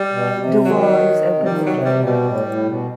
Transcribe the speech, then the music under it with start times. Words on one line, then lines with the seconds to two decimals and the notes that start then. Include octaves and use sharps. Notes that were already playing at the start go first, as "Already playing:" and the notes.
DuVall is openly gay.
Already playing: G3
0.11 B2
0.32 B2
0.38 C3
0.65 D#3 F#3
1.34 C3
1.45 D#3 G3
1.66 B2 F#3
1.73 C3
1.85 G3
1.99 B2
2.06 G3
2.26 A2
2.46 A2
2.66 B2